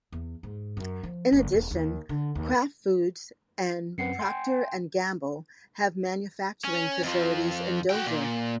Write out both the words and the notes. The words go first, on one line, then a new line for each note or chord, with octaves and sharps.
In addition, Kraft Foods and Procter and Gamble have manufacturing facilities in Dover.
E2
G#2
F#2
F3
G1
E1
D#2
D3
D#2
F#2 C4 B4 F#5 C7 C#7
G5 G#5 C6
C#4
F2 F3
F#4 G5
A#2